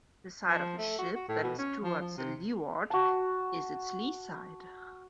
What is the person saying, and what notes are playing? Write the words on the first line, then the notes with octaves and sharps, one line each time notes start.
The side of a ship that is towards the leeward is its lee side.
F3
A3
F#4
F#4
A2
B2
C#4
F3
F3
C3
F#4 A5